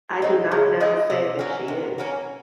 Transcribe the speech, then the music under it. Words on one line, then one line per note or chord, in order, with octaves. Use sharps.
I do not now say that she is.
G#3 C4 D#4
C#3
G#3 C4 D#4
C3
F#3 A#3 C#4
C3
F#3 A#3 C#4